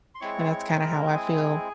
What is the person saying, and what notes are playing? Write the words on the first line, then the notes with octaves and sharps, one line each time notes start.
and that's kinda how I feel,
C6
G#3 C4 E4 C#5 C#6
C#5 C#6
A#4 A#5
G#4 G#5